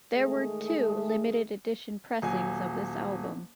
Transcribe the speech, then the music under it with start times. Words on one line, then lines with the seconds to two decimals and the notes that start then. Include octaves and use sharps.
There were two limited-edition pressings of this album.
0.14 D#3 G#3 A3 G#4
2.22 D#1 F#3 G#5